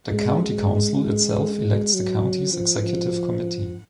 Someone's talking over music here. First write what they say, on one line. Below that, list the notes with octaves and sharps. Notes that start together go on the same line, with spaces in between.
The county council itself elects the county's executive committee.
G#3
G#3
F#3
F3
F3